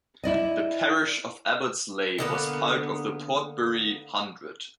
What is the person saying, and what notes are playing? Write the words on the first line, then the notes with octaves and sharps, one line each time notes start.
The parish of Abbots Leigh was part of the Portbury Hundred.
E4 D5 D#5
D3 A#3 B3